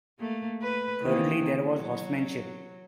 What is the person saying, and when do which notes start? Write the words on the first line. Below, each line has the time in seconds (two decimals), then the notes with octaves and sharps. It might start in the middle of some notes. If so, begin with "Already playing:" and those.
Thirdly there was horsemanship.
0.19 A3 A#3
0.62 B4
1.01 D#3 E3 A#3
1.67 F#3